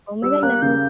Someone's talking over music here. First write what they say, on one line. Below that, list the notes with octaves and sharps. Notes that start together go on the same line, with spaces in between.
oh my goodness,
G3 E6
A#3 F#6
C#3 G6